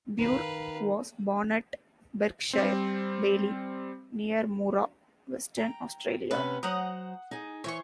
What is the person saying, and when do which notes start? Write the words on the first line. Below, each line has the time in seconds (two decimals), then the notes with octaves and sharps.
Burke was born at Berkshire Valley, near Moora, Western Australia.
0.18 D#3 B4 F5
2.53 G3 C4
5.57 G5 A#5
6.31 C3 B3 C#4 B4
6.63 F#3 C5 F#5 A#5 D#6
7.31 D#4 G#4
7.64 E3 C5 C#5 C#6